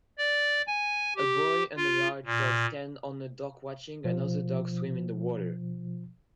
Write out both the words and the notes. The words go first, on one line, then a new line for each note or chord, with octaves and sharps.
A boy and a large dog stand on a dock watching another dog swim in the water.
D5
G#5
G4
F4
A#2
B2 F3